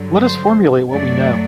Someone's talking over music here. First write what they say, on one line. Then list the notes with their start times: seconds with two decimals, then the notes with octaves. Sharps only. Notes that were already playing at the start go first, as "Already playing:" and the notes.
Let us formulate what we know.
Already playing: G2 D3 F#3
0.24 C5
0.92 F#2 F#3 A3 D5